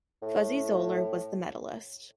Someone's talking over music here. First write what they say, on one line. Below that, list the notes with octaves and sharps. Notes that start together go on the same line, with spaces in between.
Fuzzy Zoeller was the medalist.
A2